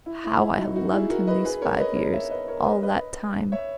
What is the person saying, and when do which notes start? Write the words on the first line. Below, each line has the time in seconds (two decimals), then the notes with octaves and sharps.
How I have loved him these five years, all that time!
0.06 E4
0.24 E4
0.40 E4
0.58 D#4 F#4
0.75 D#4 F#4
0.93 E4 G#4
1.09 F#4 A#4
1.27 B4 D#5
1.45 G#4 B4
1.62 A#4 C#5
1.79 B4 D#5
1.96 A#4 C#5
2.13 C#5 E5
2.30 B4 D#5
2.48 A#4 C#5
2.66 B4 D#5
2.82 B4 D#5
3.52 C#5 E5